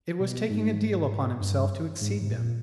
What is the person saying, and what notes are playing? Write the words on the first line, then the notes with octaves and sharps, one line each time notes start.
It was taking a deal upon himself to exceed them.
B2
G#2
G2
G#2
G#2
A#2